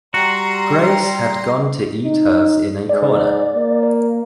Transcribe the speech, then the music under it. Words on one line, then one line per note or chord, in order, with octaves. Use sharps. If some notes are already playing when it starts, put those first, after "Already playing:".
Grace had gone to eat hers in a corner.
G3 F#4 A#5 C6
D#4
G#2 D5
A#3